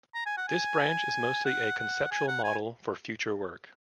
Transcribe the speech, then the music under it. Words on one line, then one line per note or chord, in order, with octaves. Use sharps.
This branch is mostly a conceptual model for future work.
A#5
G#5
F#5
G#5
F#5
F#5
G#5
F#5
G#5